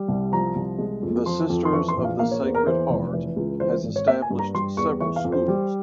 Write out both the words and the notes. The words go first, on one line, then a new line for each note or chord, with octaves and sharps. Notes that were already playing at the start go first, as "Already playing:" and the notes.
The Sisters of the Sacred Heart has established several schools.
Already playing: G3
C2
F3 A#5
C2
G#3
F2
F3 C6
F2
C6
E3 C#6
C6
A#1
F5
A#3 F5
C#5
E2 C5
A#4
E3 C5
F1
E3
C#2
E3 C5
G#1
C#5
A#3 E5
G#5
G2
A#5
G3 C6
E2 C#6
E3 C#6
F5
F2
C5
G3